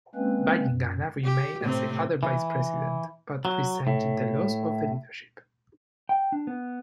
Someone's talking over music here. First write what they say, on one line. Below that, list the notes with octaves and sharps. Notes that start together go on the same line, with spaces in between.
Bayingana remained as the other vice-president, but resented the loss of the leadership.
G#3 A#3 C4 C#4 B4
F#2
G4
A2 C3 C4
E3
F#3
A2
G5
D4
B3